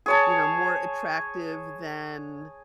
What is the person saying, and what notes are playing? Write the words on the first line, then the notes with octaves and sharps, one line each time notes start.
you know, more attractive than,
G#4 C#5 A5